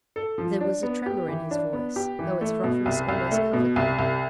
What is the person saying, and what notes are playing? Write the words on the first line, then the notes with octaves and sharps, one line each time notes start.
There was a tremor in his voice, though its roughness almost covered that.
A4
F3
D4
B3
G4
E3
D4
B3
G4
E3
A3
B2
C2
C2
A3
B2
C2
C2